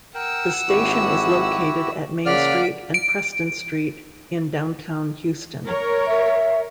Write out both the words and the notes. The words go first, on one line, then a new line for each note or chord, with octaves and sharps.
The station is located at Main Street and Preston Street in Downtown Houston.
A#4 F#5 G5 E6
G#1 E4 F#4 G4
C#3 A#3 D5 F5 F#5 F6 B6 D7
D7
A#4 C#5
E5